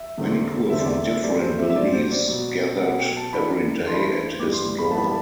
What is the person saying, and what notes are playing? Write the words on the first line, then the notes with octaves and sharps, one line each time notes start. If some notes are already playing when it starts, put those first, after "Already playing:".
Many poor from different beliefs gathered every day at his door.
Already playing: E5
E2 D3 A3 C4
E2 D3 A3 C4 E5
D5
E5
E5
G2 F#3 A3 C4 D5
C5
E5
E5
G2 F#3 A3 C4 D5
C5
D5
B2 F#3 B3
B2 F#3 B3 F#5
G5
A5
F#2 E3 A3 D4 B5
F#2 E3 A3 D4 C6
B5
C6
G2 E3 G3 B3 D6
C6
B5
G2 E3 G3 B3 A5
B5
A5